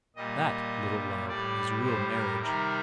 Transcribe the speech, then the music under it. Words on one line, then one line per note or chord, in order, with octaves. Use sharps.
That, little Love, is real marriage.
A#2 G3 D#5
A2 G3 D5
C5
A#4
C3 D#3 G3 A#4